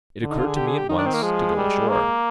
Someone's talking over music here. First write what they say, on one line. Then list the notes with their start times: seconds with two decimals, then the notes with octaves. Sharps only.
It occurred to me at once to go ashore.
0.22 D3
0.30 D#4
0.38 F4
0.47 G#4
0.56 G4
0.67 G#4
0.77 G4
0.89 D#3 D#4
0.98 D4
1.06 C4
1.14 A#3
1.22 F3 G#3
1.56 G3
1.89 A#3